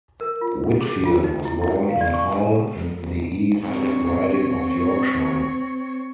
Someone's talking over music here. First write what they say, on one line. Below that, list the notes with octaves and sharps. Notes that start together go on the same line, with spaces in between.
Whitfield was born in Hull in the East Riding of Yorkshire.
A#4
F4
G#4
F4
D#4
E4
E4
F5
D5
C#6
G#5
C4 C#5